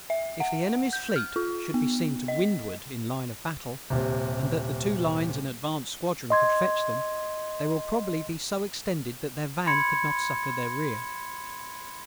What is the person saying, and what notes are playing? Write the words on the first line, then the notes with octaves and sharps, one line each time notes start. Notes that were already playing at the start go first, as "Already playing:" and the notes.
If the Enemy's Fleet should be seen to windward in line of battle, and that the two lines and advanced squadron could fetch them, they will probably be so extended that their van could not succour their rear.
E5
F#5
G6
F6
F4
B3
D#5
D#1 C3
D#5 C6 G#6
B5 C6 G#6 C#7